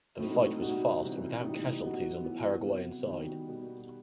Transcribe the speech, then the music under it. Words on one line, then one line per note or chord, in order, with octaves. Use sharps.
The fight was fast and without casualties on the Paraguayan side.
A2 F#3 A3 C4 D#4
B2 G3 D#4 F#4
C3 E3 G3
A2 E3 G3 D#4
F#3 B3 F#4
E3 B3 E4
C3 F#3 B3
D#3 G3 B3 F#4
B2 G3 B3